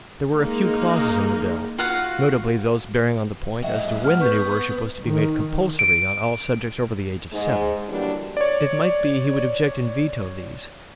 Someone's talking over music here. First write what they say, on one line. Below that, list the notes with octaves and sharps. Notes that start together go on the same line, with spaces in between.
There were a few clauses in the Bill--notably those bearing on the point as to when the new worship was to be made compulsory on all subjects over the age of seven--it might be he would object and veto these.
G#3 A#3 D#4
F4 F#4 F5 F#5
F#3 F#4 D#5 E5 G5
G#2 F#3
F#5 F6
B3 B4 C#6 G6
D#3
D7
G#2 G#3
D3 E3 F#3 G3 A#3 D4
C#5 D5